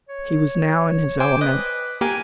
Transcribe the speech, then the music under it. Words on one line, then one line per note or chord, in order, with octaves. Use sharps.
He was now in his element.
C#5
C5 G5 G#5 D6
B4 D#5
A#3 G4 A#4 G#5